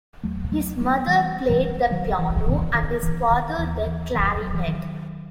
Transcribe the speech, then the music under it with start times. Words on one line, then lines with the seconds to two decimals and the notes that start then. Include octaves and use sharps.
His mother played the piano, and his father, the clarinet.
0.23 D#2 F#3 A3
0.52 F#3 A3
0.80 F#3 A3
1.07 E3 G3
1.49 E3 G3
1.91 D#3 F#3
2.19 E3
2.47 E3
2.75 D#3
3.03 E3
3.30 D#3
3.58 D#2 E3
3.86 E3
4.14 D#3 F#3
4.42 F#3
4.55 E3
4.68 D#3 F#3